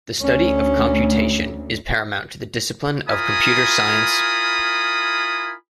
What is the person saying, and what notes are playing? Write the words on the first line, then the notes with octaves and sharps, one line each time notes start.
The study of computation is paramount to the discipline of computer science.
D2 C#4
E4 F4 A#4 G#5 B5 D#6